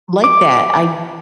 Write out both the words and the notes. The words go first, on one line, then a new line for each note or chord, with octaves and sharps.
like that. I
D6